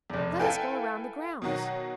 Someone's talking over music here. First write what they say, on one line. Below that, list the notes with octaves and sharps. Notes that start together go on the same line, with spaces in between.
"Let us go around the grounds."
F1 E2
E4 A4 B4 F5 G5 G#5
B2 D#3 F#3 F#4